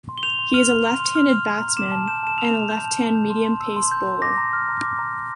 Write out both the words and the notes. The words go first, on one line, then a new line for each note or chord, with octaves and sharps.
He is a left-handed batsman and a left-hand medium-pace bowler.
C6
G7
G6 F7
C6
F6 F7
F6
C6
C6
F6
F6
A#5
A#5
D6 E7
A5
G6 E7
A5 E7
E6 F7
A5
G6
A5
G6
G6
C6
C6
E6
C6
G6
C6
D6 A#6
A#5
F6
A#5
D6
A#5
F6